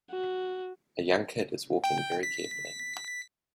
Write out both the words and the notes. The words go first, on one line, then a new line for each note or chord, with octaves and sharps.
A young kid is walking very carefully.
F#4
G5
B6